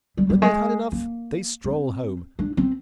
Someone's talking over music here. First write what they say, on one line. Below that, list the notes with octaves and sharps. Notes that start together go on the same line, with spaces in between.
When they have had enough, they stroll home.
G3
G3
G#3
A#3
C4
D4
C4